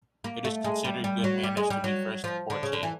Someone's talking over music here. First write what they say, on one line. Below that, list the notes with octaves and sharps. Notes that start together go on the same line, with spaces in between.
It is considered good manners to be the first to pour tea.
A#3
A3
G#3
G3
G3
F#3
G3
G#3
G3
F#3
F3
D3
C#3
D3
E3